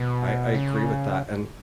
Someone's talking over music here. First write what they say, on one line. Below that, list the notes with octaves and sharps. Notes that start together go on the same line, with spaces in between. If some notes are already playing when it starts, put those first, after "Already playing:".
I I agree with that, and
Already playing: B2
C#3